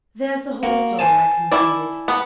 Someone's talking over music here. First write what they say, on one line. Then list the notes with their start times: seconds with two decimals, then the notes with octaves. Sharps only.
"There's the whole story," I concluded.
0.63 A#3 F#4
0.99 C5 G#5 A5
1.51 E4 D5
2.08 B3